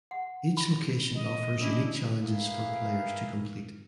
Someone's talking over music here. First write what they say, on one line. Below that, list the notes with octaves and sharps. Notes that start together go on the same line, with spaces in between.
Each location offers unique challenges for players to complete.
F#5
B5
D#5
C#4 D4 E4
G#4 A#4 B4 E5 F5